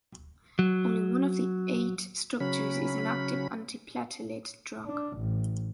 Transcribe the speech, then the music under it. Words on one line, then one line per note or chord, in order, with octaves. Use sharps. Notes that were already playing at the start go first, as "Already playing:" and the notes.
Only one of the eight structures is an active antiplatelet drug.
F#3
C#3 F#3 C#4 B5
D4
A1